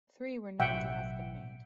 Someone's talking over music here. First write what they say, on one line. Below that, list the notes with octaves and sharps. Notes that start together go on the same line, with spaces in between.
Three were known to have been made.
A1 B2 F#3 E5 F#5 G5